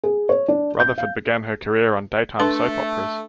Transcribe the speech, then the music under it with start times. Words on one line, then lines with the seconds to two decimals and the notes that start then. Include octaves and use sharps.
Rutherford began her career on daytime soap operas.
0.03 G#4
0.29 C#5
0.48 D4
0.80 G6
0.98 F5
2.40 A3 D4 B4 C6